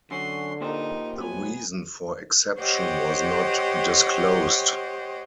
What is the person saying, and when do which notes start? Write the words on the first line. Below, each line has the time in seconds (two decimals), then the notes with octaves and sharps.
The reason for exception was not disclosed.
0.11 F#2 D3 C#4 F#4 C6
0.61 A#2 D#4 G4 A#4 C5
1.18 F#3 B3 G#5
2.59 G4 C5 C#5 D#5 F#5 G5